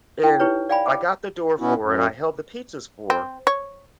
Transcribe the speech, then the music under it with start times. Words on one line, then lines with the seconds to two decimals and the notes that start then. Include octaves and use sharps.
and I got the door for her and I held the pizzas for her
0.24 E4 G5
0.40 D#4 E4 G4 B4 C#5
0.69 D5 F5 G5 G#5 B5
0.86 D6
1.59 B2 B3 C#4 E4 F#4
1.79 F#2
3.10 C4
3.47 C#5